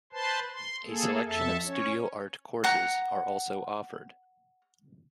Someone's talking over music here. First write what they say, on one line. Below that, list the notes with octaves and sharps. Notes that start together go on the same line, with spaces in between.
A selection of Studio Art courses are also offered.
B4 C5 A5 C6
C6
A#3 G#4 A4
F2 A4 E5 A5
C#4 C#5
F#5 A#5